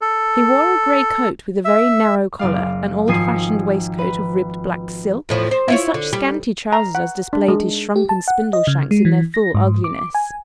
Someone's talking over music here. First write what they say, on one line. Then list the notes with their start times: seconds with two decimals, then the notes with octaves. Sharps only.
He wore a grey coat with a very narrow collar, an old-fashioned waistcoat of ribbed black silk, and such scanty trousers as displayed his shrunken spindle-shanks in their full ugliness.
0.01 A4
1.65 E5
2.39 F#1 D5 F5
3.08 G#1 F3 G#5 D#6 C7 C#7
3.98 B4
5.29 E2 A2 F3
5.51 C5
5.68 E4 F4 C#5
5.94 D3
6.13 G3
6.72 A#5
6.95 F#5
7.33 D4
7.48 G#3
7.96 G4
8.09 A5
8.28 F#5
8.53 D#5
8.67 C#3
8.91 G#3
9.05 E3
9.34 A#6
9.54 G#2
9.84 D6
10.15 G#5